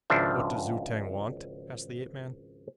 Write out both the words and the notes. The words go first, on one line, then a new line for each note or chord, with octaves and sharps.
"What does Zu-tag want?" asked the ape-man.
G#1 C#2 F3 D4 E5